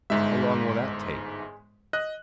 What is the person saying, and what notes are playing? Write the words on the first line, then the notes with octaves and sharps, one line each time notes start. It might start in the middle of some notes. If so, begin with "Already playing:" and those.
"How long will that take?"
G1 G#2 G#3 E5
D#5 F#6